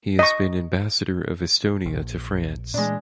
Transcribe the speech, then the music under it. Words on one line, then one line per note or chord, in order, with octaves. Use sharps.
He has been Ambassador of Estonia to France.
D#5 C#6
A#1
A#2 E3 G#3 D4